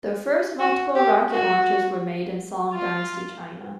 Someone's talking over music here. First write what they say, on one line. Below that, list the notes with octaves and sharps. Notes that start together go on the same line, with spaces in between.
The first multiple rocket launchers were made in Song dynasty China.
F#4
G4
F#4
F4